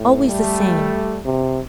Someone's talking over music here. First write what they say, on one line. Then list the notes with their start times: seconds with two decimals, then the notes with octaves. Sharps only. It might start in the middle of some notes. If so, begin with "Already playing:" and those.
Always the same.
Already playing: A2
0.26 G3 A3
1.25 C3